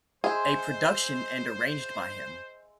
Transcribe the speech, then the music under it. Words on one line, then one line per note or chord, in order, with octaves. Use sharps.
A production and arranged by him.
G#3 G#4 C5 E5 C6